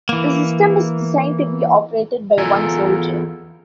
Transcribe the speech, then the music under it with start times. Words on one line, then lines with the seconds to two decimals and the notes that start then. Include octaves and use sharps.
The system is designed to be operated by one soldier.
0.09 E3 A#3
2.38 E2 F4 A4 A#4 G#5